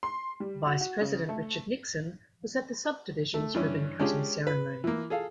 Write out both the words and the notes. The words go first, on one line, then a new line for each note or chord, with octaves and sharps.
Vice President Richard Nixon was at the subdivision's ribbon-cutting ceremony.
C6
G3
F#4
F#4
C#3
A3
A3
G2 E3 C#4
G#3 C#4 D4 F4 G4 G#4
B4
E3 A#3
G#4 A4 F5